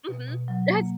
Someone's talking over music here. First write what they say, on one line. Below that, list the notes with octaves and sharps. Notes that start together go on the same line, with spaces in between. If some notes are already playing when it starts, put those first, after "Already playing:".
Mhm. That's
B2
B2
F#3
A#3